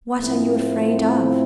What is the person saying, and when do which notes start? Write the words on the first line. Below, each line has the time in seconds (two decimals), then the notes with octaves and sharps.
"What are you afraid of?"
0.18 A2 F3 A3 C4 E4